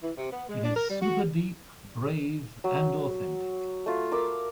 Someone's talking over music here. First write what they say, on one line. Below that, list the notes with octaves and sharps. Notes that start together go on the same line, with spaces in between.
It's super-deep, brave, and authentic.
E3
C3
B3
G#3
D4
A#4
G3
F#4
F#3
A3 F4
A#4 D6 E6